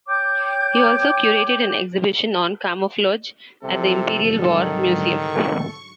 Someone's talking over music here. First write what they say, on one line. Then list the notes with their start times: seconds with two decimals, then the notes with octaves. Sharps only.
He also curated an exhibition on camouflage at the Imperial War Museum.
0.08 C#5 G5 D6 G6
3.63 C2 C3 F3 A4
4.17 G#2 D3 F#3
4.51 D#3
5.16 C#6